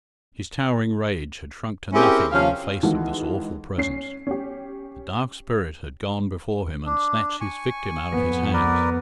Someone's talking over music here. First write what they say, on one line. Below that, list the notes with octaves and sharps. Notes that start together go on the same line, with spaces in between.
His towering rage had shrunk to nothing in the face of this awful presence. The Dark Spirit had gone before him and snatched his victim out of his hands.
C4 C#4 E4 G4 G#4 A#4
C3 F3 C#4 F5
D#3 E3 G#3 F4 F#4 A4
C#4 C7
C#4 G4
D4
G#5 C#6
F2 B3
A#4 B4 D5